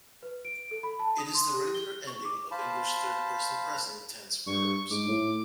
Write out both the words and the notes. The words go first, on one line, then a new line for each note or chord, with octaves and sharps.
It is the regular ending of English third person present tense verbs.
B4
D7
A4
B5
A5
D#6
C6
G4
G7
C#6
D6
C5 F5 A5 B5
G2 C#6
G#2 D6
A2